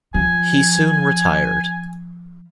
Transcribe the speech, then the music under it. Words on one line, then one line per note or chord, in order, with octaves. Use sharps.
He soon retired.
F3 G#5